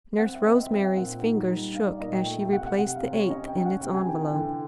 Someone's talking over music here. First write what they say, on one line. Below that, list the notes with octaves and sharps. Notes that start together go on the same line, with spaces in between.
Nurse Rosemary's fingers shook as she replaced the eighth in its envelope.
C4 F#5
E5
C4 D#5
E5
C4 G5
A#2 F#5
D#4
G3
D#4 F5
D5
A#2 D#5
G5
A3
G5
C3 F#5
F#5
C3 F#5
F5
C3
C#5
C#4 D#5
G5
C#4
F#5
C3 G5
G#5
E3 G5
G5
D3 G5